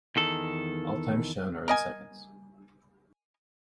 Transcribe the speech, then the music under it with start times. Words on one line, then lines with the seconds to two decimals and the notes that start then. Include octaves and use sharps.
All times shown are in seconds.
0.16 E2 D#3 A4
1.68 A#4 D#5 G#5